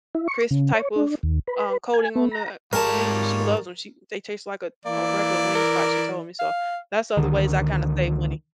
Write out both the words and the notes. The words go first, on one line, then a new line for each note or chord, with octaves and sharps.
crisp type of, um, coating on the on the wings and she loves 'em, she they taste like a a regular wing spot, she told me. So that's the other ways I kinda save money.
E4
C#6
C#3
C#5
D4
D#2
B4
G#5
B3
A#5
G#2 G3 F4 A#4 C#5 A5
E3 A#3 D5
A#4
F5
C#2 D3 D#3